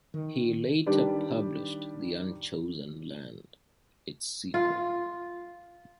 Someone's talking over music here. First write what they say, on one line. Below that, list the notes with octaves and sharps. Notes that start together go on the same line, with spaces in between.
He later published "The Unchosen Land", its sequel.
D#3
D#3 G3 D4 G4 B4 D5
F4